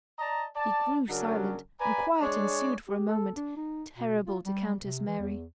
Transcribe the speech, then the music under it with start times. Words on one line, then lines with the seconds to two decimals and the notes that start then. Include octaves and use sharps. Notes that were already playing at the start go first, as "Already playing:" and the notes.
He grew silent, and quiet ensued for a moment, terrible to Countess Mary.
0.19 D5 D#5 A5 A#5
0.56 D5 A5
1.09 C#3 F#3 C#4 D4 A#4
1.80 B4 D5 G#5 A#5 B5
2.21 G#3 D4 G#4 C#5
2.88 G4
3.09 A4
3.37 D4
3.57 D#4
3.96 B2
4.27 F4
4.45 G3
4.81 C3
5.07 E3
5.20 E2